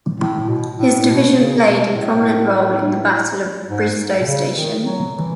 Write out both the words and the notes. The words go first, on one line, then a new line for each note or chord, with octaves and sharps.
His division played a prominent role in the Battle of Bristoe Station.
A2
A2
B2
A2
B2
C#3
B2
A2
G#2
B2
C#3
D#3
F#3
E3